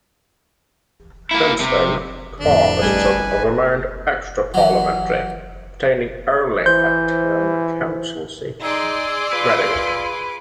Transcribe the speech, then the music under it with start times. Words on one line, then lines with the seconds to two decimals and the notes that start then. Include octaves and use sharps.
Since then, Carlists have remained extra-parliamentary, obtaining only town council seats.
1.31 A#3 E4
1.61 C3
2.40 F2 A2 D3 D4
2.82 A1 G3 G#4 B4 D#5 G#5
4.54 E3 F#3
6.66 E3 C5 G6
8.62 D#4 G#4 D5 C6 D6 E6
9.33 F4 B4